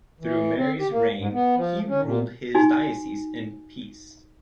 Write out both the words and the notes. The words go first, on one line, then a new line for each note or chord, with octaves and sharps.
Through Mary's reign he ruled his diocese in peace.
E3
C4
G4
A#3
G#2
B3
F3
C#4
A#2
D#4 F#4 G#5